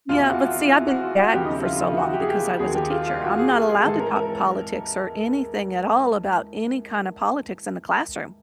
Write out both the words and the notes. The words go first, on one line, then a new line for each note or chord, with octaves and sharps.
Yeah, but see, I've been gagged for so long because I was a teacher. I'm not allowed to talk politics or anything at all about any kinda politics in the classroom.
E2 B2 F#3 F4
E4
F#4
F4
E4
F#4
F4
F#4
D#2 C#3 F3 G4
D#4
E4
F4
F4
E4
F#4
G4
G#4
G4
D#2 D#3 F#3 G#4
G4
F4
F4
F#4
G#4
G#4
G#2 E3 A4
A#4
A#4